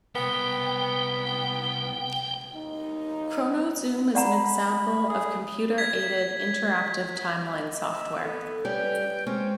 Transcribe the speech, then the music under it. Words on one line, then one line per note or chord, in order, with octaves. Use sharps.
ChronoZoom is an example of computer aided interactive timeline software.
C2 B3 A#4 G5
D#2 D#3 D#4
D5 F#5 A#5 B5
G#4
G#6 B6
D#5
E5
B3 A4
G3 C#4 B4 G5
G#3 C4 C#4